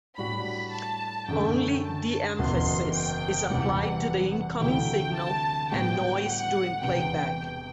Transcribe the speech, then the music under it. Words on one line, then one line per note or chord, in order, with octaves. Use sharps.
Only de-emphasis is applied to the incoming signal and noise during playback.
A2 G3 D4 F#4 B5
A5
F#2 D3 A3 G5
A5
F#1 E2 B2 C6
G5
E1 E2 C3 E3 G3 F#5
D2 C3 F#3 A3 E4 G5
A5
A2 G3 B3 F#4 G5
F#5
E1 E2 C3 G5
G5